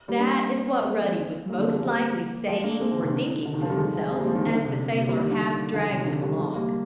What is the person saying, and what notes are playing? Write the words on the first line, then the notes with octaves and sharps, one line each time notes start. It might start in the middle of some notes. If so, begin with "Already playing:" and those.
That is what Ruddy was most likely saying or thinking to himself as the sailor half dragged him along.
G3 A#3
A#3 D4
A#3
G#3 C4
F3 G#3
G3 A#3
D3 F3
F3 G#3
G3 A#3
F3 G#3
A#3 D4
G#3 C4
D3 F3
C3 D#3
D3
D3
C3 D#3
D3 F3
D#3 G3
F3 G#3
F3 G#3
G#3 C4
G3 A#3
F3 G#3
D#3 G3
D3 F3
D3
C3
C3
G3 A#3
D#3 G3
D3 F3
D3 F3
C3 D#3
D3 F3
D#3 G3
F3 G#3
G3 A#3